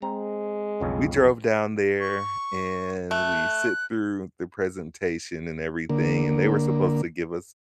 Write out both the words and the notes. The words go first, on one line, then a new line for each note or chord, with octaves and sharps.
we drove down there, and we sit through the presentation and everything, and they were supposed to give us
G#3 C4 A#5
B1 F2 C#3
C#6
A3 F#6
D3 A#3